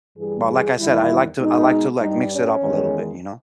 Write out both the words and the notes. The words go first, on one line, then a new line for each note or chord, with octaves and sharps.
But like I said, I like to I like to like mix it up a little bit, you know.
G2 E3 G3 G#4
G#4
E2 D#3 G3 E4
B2 G#3 D#4
G2 G3 D#4
C#4
E2 D#3 G#3